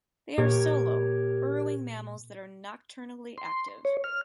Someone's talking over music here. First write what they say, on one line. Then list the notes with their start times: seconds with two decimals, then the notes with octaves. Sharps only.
They are solo, burrowing mammals that are nocturnally active.
0.38 A#2 G4 A#4 C#5
3.38 C6
3.85 C#5
4.04 F6